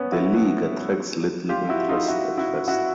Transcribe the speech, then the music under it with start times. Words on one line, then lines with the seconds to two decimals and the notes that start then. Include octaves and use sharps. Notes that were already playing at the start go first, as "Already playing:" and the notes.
The league attracts little interest at first.
Already playing: B3 C#4
0.12 E4 F#4
1.49 F4 G4
1.69 E4 F#4
1.89 D#4 F4
2.08 E4 F#4
2.37 E4 F#4
2.68 E4 F#4